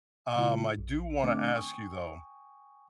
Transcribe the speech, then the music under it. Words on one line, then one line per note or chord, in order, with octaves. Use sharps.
um, I do wanna ask you, though,
C#3 G#3 E4 F4
A#1
D3 A3 C4 D4 D6
G5 G#5 C#6 D#6